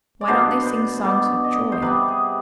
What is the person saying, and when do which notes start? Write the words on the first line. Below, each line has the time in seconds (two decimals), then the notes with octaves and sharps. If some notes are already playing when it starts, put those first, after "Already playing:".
Why don't they sing songs of joy?
0.21 D5
0.27 B2 B3 D4 C5
0.62 B4 C5
0.95 C5
1.05 B2 B3 D4 D5
1.44 D#5
1.72 C5
1.82 C3 G3 B3 B4
2.08 G#4